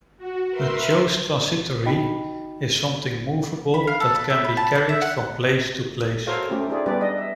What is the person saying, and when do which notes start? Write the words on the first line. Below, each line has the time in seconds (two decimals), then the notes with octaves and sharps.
A chose transitory is something movable, that can be carried from place to place.
0.18 F#4
0.51 A#4 B4 E5 C6
1.86 D#4 F#4 D#5 G5 B5
3.74 B5
3.87 F5
4.00 A4
4.15 B4
4.30 E5
4.44 B5
4.57 A5
4.75 D5
4.89 E5
5.01 F#5
6.27 F#4 A4 A#4 C5 C#5 F5
6.49 A3 C#4 F4 G4
6.69 D#4 F4 G4 G#4 D5
6.86 G3 B3 D4 G4 B4 D5
7.01 D#5
7.18 E5